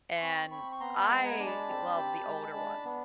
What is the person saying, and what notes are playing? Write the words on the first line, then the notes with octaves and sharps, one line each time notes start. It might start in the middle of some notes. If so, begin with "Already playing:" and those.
and I love the older ones.
C6
C4 B5 C#6
C4 B5 C#6
C#6
B3 A#5 C6
A5 B5
G#3
G#5 A#5
D4
A5 B5
C4
G4
G#3
D4
B3